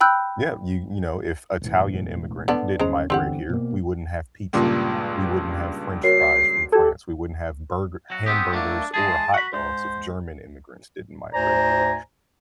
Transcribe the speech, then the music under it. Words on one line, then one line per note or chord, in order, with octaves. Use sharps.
Yeah, you you know, if Italian immigrants didn't migrate here, we wouldn't have pizza. We wouldn't have french fries from France, we wouldn't have burger hamburgers or hot dogs if German immigrants didn't migrate here,
G5 B5 E6 F#6 G6
E1 A1 E3
D3 B3 D4
G1 G#3 C#4 C5 A#5
G1 E2 D3 C4 G4 F#5
B2 A#3
C#2 G2 A#2
F#4 A#4 C#5 C7
G4 A4 A5 G#6
F#3 F#4
B3 C4 G4 D#6
F#3 A3 A#3 D4
E3 G#3 G#4 A5
F#4 F#5 B5
G#2 C5
D2 G#2 C5 D5 G#5 A#5